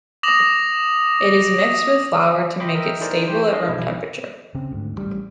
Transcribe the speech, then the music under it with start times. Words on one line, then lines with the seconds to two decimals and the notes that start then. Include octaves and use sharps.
It is mixed with flour to make it stable at room temperature.
0.23 D6 D#6 A#6 F7 F#7
2.60 D#5 G5 B5 C6 D6
2.75 A#4 D#5 E5 G5
3.00 D#4 E4 G#4 A#4 C5 D5
3.28 E3 G4 C5
3.52 G#3 D4 G#4 D#5 F5
3.69 B1 B2 E4
4.55 C#3 C4
4.72 D2 G#2
4.98 A1 G3